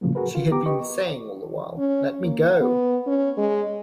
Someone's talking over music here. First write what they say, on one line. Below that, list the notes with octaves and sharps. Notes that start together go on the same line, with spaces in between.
She had been saying all the while, "Let me go!"
A2 C#3 F3 F#3 A#3
F#4 G#4 A#4 B4
F4
B3 G4 A#5 D6
G4 B4 D#5 C#6
C#4
A#3
B3
C#4
G#3